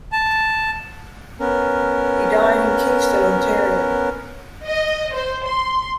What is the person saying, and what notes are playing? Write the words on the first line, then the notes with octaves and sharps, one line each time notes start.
He died in Kingston, Ontario.
A5
B3 C#4 A#4
D#5
C5
C6